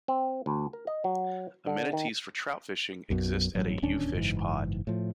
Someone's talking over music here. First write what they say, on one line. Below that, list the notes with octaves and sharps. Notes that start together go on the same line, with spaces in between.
Amenities for trout fishing exist at a U-fish pod.
C4
D2
A#4
D#5
F#3
D3
D#3
B1 F#2 B2
A1 G2 F#3
D1 D#2 C#4 D4
F#1 G#2 E3
A2 F3